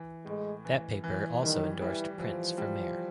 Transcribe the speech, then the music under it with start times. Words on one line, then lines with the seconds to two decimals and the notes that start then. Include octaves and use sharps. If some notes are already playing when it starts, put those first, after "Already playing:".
That paper also endorsed Prince for mayor.
Already playing: E3
0.26 A2 G#3
0.65 E3
1.04 E3
1.42 D#3 G3
1.80 E3 G3
2.19 E3 F3
2.58 G3